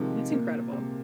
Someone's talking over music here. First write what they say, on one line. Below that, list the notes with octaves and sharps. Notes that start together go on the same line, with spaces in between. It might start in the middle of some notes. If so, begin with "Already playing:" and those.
That's incredible.
Already playing: C3 D#3 F3 G#3
A#2
C3